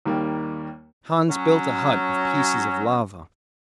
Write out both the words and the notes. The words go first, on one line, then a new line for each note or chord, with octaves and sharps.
Hans built a hut of pieces of lava.
D#2 D#3 G3 A#3
F#3 C#4